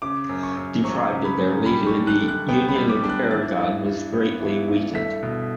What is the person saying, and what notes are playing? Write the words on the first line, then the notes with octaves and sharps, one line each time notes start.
Deprived of their leader, the Union of Aragon was greatly weakened.
C#3 D6
F#2
C#6
F#2
F#3 C#6
C#3
B5
F#2
G3 B5
C#6
D4
F#6
D3
F#6
B3 G5
B5
G3
D6
D4
F#6
E3 A6
G2
G2
B3
E3
G2
A3 B6
B2